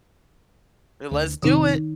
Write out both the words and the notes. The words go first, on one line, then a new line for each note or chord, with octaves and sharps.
Let's do it.
D2
F1 C3 D#3 D#4